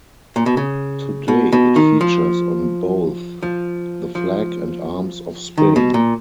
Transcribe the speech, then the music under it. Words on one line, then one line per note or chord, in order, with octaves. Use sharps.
Today it features on both the flag and arms of Spain.
A#2
B2
C#3
B2
B2
D#3
F3
F3
F3
D#3
B2
A#2